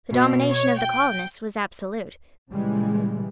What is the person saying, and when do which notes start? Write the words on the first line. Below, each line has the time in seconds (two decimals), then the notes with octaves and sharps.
The domination of the colonists was absolute.
0.11 B2
0.50 C#5
0.79 G5
2.49 A#2 C#3 E3 G3 G#3